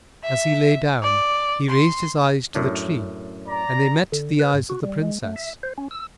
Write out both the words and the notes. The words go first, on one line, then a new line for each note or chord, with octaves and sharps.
As he lay down, he raised his eyes to the tree and they met the eyes of the Princess.
E5
D5
C6
F#2 A2 D4
D5 A#5
D3
B4
G#2
F#4
G3
G#3
A3
E5
C5
C#4
E6